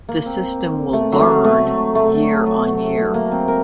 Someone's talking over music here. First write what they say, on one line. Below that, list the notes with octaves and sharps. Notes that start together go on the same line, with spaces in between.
The system will "learn" year-on-year.
A#3
C4
A3
F#3
A3
A3
A3
F#3
F#3
A3
A#3
C4
A#4